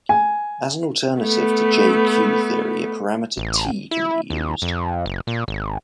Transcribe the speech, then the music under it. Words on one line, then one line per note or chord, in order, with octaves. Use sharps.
As an alternative to J-Q theory, a parameter T can be used.
G#5
A3 B3
A1
E4
D#2
F2
F#1
A#2
G#1